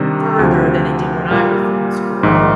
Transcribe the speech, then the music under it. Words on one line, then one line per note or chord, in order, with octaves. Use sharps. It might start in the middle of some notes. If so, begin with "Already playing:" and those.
further than they did when I was in school.
Already playing: C3 D#3 G3 D4
D2 C3 F3
A#2 G3 A#3 F4
A#1 G#2 D#3